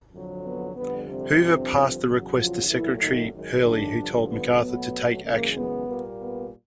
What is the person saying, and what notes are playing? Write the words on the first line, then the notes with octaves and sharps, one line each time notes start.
Hoover passed the request to Secretary Hurley who told MacArthur to take action.
F2 D3 F#3
B3
F2 D3 G3 B3
C3 C4
G2 D3 F3
E2 C#3 F#3
F3 F4
A#2 E3 F#3 A3 E4
D#3 D#4
F#2 D#3 G#3
D3 D4
G2 D3 F3
B3
B2 F#3 A3 B3
F#2 C#3 E3 G#3 A#3
B3
A#2 G3 A#3
B3